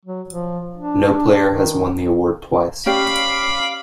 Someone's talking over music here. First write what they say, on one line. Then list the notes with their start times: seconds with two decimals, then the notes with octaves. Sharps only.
No player has won the award twice.
0.05 F#3
0.28 F3
0.76 D4
1.52 D#3
2.86 C#4 G4 D5 F5 B5 D6